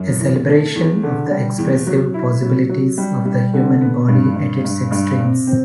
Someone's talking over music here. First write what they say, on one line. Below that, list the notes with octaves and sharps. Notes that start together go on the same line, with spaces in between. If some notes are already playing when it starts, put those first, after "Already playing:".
A celebration of the expressive possibilities of the human body at its extremes.
Already playing: F#2
E3
A3
E2
D3
G3
E2
F#3
E4
F#3
F#3
G3
G3
D3
B3
G2
G2
G2
G2
C3
C4